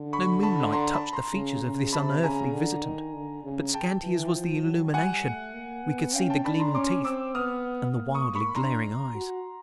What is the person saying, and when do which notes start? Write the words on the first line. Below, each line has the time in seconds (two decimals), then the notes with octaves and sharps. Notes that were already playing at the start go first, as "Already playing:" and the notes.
No moonlight touched the features of this unearthly visitant, but scanty as was the illumination we could see the gleaming teeth--and the wildly glaring eyes.
Already playing: D3
0.13 B5 C#6
0.43 A5 B5
0.72 A#5 C6
0.93 A5 B5
1.13 A#5 C6
1.33 C#3
1.63 C#3
1.93 C3 A5 B5
2.23 C#3 G#5 A#5
2.53 D3
2.83 D#3
3.14 D3
3.44 C#3
3.74 G5 A5
4.03 E3
4.34 F3
4.63 F#3
4.94 G3 F#5 G#5
5.24 A3
5.54 A#3
5.84 B3
6.14 C#4 F5 G5
6.30 G5 A5
6.44 D4 A5 B5
6.59 A#5 C6
6.75 C#4 C6 D6
7.05 C4 D6 E6
7.35 B3 D#6 F6
7.94 A#3
8.14 C#6 D#6
8.25 A#3
8.35 B5 C#6
8.55 D4 A#5 C6
9.15 F#4